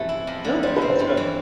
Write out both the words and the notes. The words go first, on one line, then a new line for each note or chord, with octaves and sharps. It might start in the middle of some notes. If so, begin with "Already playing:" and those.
Oh, that's good,
Already playing: C3 E3 A3 B3 E5
E4
F2
D3
G3 C5
B4
C4
C5
G2
E3